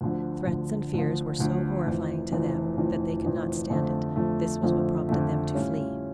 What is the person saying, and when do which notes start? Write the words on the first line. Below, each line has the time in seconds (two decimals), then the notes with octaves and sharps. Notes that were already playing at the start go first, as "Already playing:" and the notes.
Threats and fears were so horrifying to them, that they could not stand it; this was what prompted them to flee.
0.01 D2 D3 F3
0.47 D2 D3 F3
0.94 D2 D3 F3
1.39 D2 D3 F3
1.86 F1 F2 E3
2.32 F1 F2 E3
2.78 F1 F2 E3
3.24 F1 F2 E3
3.70 F2 D3 F3 A3
4.16 F2 D3 F3 A3
4.62 F2 D3 F3 A3
5.09 F2 D3 F3 A3
5.54 A2 G3 C#4 F4